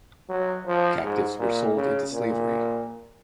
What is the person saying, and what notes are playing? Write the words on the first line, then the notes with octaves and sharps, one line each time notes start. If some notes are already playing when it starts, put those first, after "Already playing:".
Captives were sold into slavery.
F#3
F3
G#2
A#2
C#3
A#2